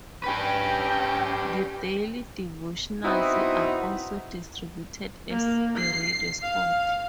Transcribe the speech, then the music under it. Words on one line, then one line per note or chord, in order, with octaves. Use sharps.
The daily devotionals are also distributed as a radio spot.
C#4 G4 B4 G5
B3 C4 D#4 E4 F#4
A#3
C7
F5